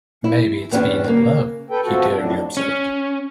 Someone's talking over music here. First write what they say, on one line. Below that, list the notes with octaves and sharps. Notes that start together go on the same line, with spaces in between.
"Maybe it's being in love," he daringly observed.
E4
E2 B3 C#4 D4 G4 G5
C#3 A#3
A4 B4 G5
C3 F3 F#4 A4
F2 A2 D4
C#4